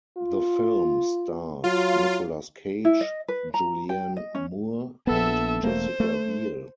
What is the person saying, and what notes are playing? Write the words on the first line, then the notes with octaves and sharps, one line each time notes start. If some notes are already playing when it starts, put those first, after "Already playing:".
The film starred Nicolas Cage, Julianne Moore, and Jessica Biel.
F4
F#3 F4
E4
D#5
B4
A#5
G5
D#5
C#4
A#1 B3 A4 E5
E1 A3 A#3 C5
A3